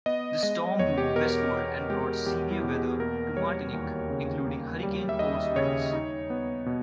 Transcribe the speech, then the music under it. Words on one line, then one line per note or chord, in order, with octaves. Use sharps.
The storm moved westward and brought severe weather to Martinique, including hurricane-force winds.
B3 D#5
G#3 D#5
E2 C#5
G4
B2 A#4
B3
G#3 G4
E2 G4
E4
B2
G#4
G4
A#3 A#4
G3 C#5
D#2
C#3
A#3
G3
E5
D#2 D#5
C#3 C#5
D#4
B3
B2